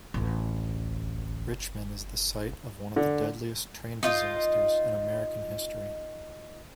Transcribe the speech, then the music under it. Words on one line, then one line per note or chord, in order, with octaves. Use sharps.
Richmond is the site of one of the deadliest train disasters in American history.
A1 D2
D3
D#4 F4 D#5